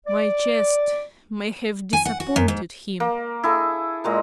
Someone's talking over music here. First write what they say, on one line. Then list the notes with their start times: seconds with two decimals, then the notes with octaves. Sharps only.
My chest may have disappointed him....
0.07 D5
1.93 G#5
2.05 F#5
2.20 F#4
2.36 F#2
2.48 G#2
3.00 A#3
3.44 E4 G#4 A4
4.04 A#2 G#3 A#5